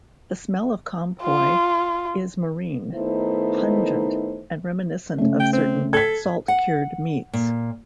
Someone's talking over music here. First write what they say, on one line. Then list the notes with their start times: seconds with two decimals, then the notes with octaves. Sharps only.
The smell of conpoy is marine, pungent, and reminiscent of certain salt-cured meats.
1.23 F4
2.94 D#3 A3 B3 D#4 E4 C5
5.18 C#3 A3
5.40 G5
5.53 C4
5.93 A4 G#6 B6
6.48 F#5
7.33 A#2